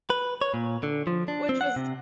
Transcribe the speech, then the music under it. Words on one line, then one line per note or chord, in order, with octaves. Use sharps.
which was
B4
C#5
A#2
D3
F3
D4
C4
F#5
C3